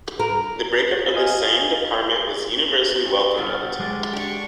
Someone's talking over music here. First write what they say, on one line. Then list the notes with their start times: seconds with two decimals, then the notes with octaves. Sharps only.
The breakup of the Seine department was universally welcomed at the time.
0.19 A#4
1.15 F4 D#5 F5 G#5
3.05 G2
3.37 G2 B2 G3 A4 F#5 F6
3.79 G#3 D6 A6
4.13 D4 G4 C#6